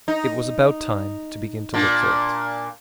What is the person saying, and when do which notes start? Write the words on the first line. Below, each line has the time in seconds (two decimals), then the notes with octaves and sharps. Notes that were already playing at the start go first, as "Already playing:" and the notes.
It was about time to begin to look for it.
0.08 D#4
1.74 A#2 D4